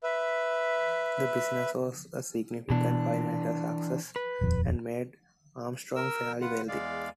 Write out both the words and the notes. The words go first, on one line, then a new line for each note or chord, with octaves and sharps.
The business was a significant financial success, and made Armstrong fairly wealthy.
B4 E5
B2 E3 D4
B4
D#1 F2 F3
A#4 E6
F4 B4 F#5
E2 G#3 D5 F5